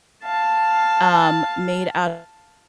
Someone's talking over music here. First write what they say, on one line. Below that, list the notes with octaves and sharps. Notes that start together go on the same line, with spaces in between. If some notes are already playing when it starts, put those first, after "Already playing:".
Um, made out
F5 A5